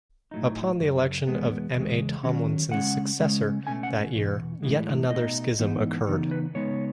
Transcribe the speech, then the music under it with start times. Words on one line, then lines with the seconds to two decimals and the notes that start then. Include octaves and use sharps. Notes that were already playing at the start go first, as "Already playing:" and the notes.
Upon the election of M. A. Tomlinson's successor that year, yet another schism occurred.
0.31 A2 F#3 A3 D#4
0.80 F#2 C#3
1.27 E2 B2 G#3 B3
1.75 E2 C#3 G#3
2.23 D#3 F#3 C#4
2.71 C#3 G#3 C#4 F#5
3.20 C#3 G#3 C#4
3.67 B2 A3 C#4 G#5
3.83 F#5
4.15 E2 B2
4.63 A2 E3 G#3
5.10 B2 A3 D#4 D#5
5.59 G#2 E3 B3 D#4
6.07 C#3 E3 B3 D#4
6.31 B4
6.54 C#3 G#3 B3 D#4 C#5